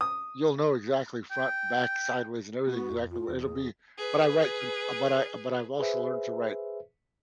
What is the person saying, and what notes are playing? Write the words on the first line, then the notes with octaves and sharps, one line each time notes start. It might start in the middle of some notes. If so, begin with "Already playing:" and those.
you'll know exactly front, back, sideways, and everything exactly what it'll be. But I write some but I but I've also learned to write,
D#6
G5
B3 F#4
F2
F4
E2
G#4
G#4 B4
G#4 B4 C5 E5